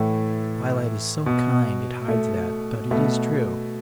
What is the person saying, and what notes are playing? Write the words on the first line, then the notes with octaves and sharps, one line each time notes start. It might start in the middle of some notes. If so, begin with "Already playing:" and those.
The twilight is so kind it hides that, but it is true.
Already playing: A2 E3 A3
B2
A3
B2 A3